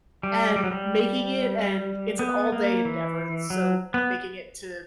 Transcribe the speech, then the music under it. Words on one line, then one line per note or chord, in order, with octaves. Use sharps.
And making it and it's an all-day endeavor, so making it to
G3
G3
F#3
G3
B3
A#3
E3
F#3
B3